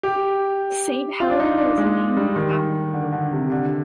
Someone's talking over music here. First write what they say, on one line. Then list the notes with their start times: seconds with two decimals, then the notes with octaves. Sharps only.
Saint Helen was named after the lake.
0.03 G4
1.20 F4
1.30 D4
1.40 D#4
1.58 D4
1.78 G#3
2.17 G3
2.36 D#3
2.93 D3
3.12 D3
3.33 C3
3.51 D3